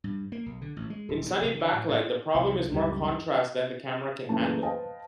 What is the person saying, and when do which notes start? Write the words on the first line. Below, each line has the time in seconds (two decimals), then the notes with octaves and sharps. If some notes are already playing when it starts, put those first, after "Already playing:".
In sunny backlight the problem is more contrast than the camera can handle.
0.04 G2
0.32 A#3
0.46 B1
0.62 D3
0.76 A1
0.90 G#3
1.09 D#1
1.26 B2
1.41 F1
1.59 D3
1.73 A2
1.89 A2
2.35 C2
2.71 C#2 F#2 G3
4.29 F#2 C#3 E3 A3 A#3 A5
4.63 B4 C5 D#5 F5 G5 A5